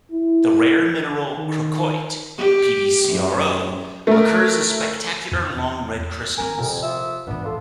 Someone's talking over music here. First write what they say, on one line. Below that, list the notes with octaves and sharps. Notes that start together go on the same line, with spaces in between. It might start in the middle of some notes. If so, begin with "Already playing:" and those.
The rare mineral crocoite, PbCrO, occurs as spectacular long red crystals.
E4
D#3
G4
F#2
A3 A#4
E2
D#3 C4 A#4 G#5
F2 C3
F3 E5
G#2 E3 B3 D4
F4 A4